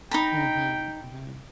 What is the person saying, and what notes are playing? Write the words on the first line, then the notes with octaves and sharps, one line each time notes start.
Mhm, mhm.
D#4 G5 A#5 B5